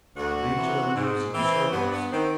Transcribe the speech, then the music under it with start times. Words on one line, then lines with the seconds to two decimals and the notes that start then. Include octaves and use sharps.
Nature moves in circles.
0.16 D2 F#4
0.55 C3 E3
0.94 G#2
1.32 E3 C4
1.71 G2 B3
1.91 B3
2.11 D#3 C4